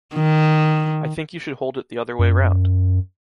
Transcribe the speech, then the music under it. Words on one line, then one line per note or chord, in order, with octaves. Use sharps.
I think you should hold it the other way round.
D#3
F#2